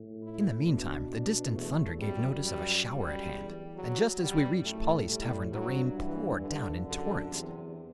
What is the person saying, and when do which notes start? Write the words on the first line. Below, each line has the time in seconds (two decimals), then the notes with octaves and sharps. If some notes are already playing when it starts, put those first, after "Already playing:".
In the meantime the distant thunder gave notice of a shower at hand, and just as we reached Polley's tavern the rain poured down in torrents.
Already playing: A2
0.23 E4
0.67 B2 D4
1.11 D4
1.54 E2 A3
1.99 F#2 G3
2.43 G3
2.87 F#2 G3
3.32 E2
3.76 F#3
4.20 F#2 G3
4.64 A2 A3
5.08 A2 G3
5.52 G2 F#3
5.96 E3
6.41 D3
6.85 F#2 D3
7.29 E2 C3